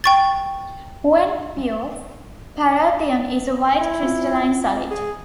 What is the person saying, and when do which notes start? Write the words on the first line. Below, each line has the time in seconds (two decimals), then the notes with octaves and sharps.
When pure, parathion is a white crystalline solid.
0.04 G5 C#6 A6
3.81 E4
4.03 C4 F4
4.91 G#4